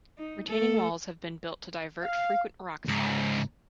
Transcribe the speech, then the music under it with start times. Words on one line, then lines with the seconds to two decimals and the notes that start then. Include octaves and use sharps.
Retaining walls have been built to divert frequent rockslides.
0.18 D#4
0.48 A3 A4
2.03 F5
2.88 C#2 G#2